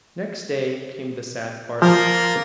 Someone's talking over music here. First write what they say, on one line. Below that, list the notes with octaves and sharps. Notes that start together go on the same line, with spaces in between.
Next day came the sad parting.
F3 A#3 F4 A#4